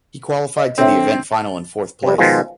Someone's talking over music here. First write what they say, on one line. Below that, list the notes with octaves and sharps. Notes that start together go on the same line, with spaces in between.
He qualified to the event final in fourth place.
D#5
D3 C4 A4 C#5 E5
A5
C3 G3
B2 D#3 F3 G#3